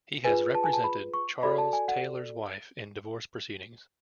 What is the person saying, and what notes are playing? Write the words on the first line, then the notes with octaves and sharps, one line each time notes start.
He has represented Charles Taylor's wife in divorce proceedings.
F4 G#4 B4 G#5
A5
G#5
A5
B5
C#6
F#4 A4 D5 B5
A5
G#5
F#5